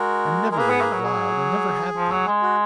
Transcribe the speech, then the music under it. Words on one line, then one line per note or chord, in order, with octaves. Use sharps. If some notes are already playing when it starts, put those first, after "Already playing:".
I'm never really wild and never have been.
Already playing: G#3 F#4 A#4
G#3 A#4
A#3 G#4 B4
B3
A#3
F#3 A#4
G#4
F3
F#3
G#3
F#4